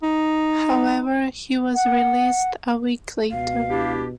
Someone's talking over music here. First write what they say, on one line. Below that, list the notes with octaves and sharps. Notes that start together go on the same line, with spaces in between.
However, he was released a week later.
D#4
F#5
C#2 B2 F5
D4 E4 G4